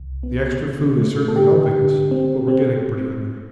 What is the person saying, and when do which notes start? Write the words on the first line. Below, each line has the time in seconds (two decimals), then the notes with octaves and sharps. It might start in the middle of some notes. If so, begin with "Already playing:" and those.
The extra food is certainly helping us, but we are getting pretty hungry.
Already playing: C2
0.23 B3
0.61 D3
0.98 A3
1.28 A4
1.36 D3 G4
1.73 D3
2.11 C4
2.48 C4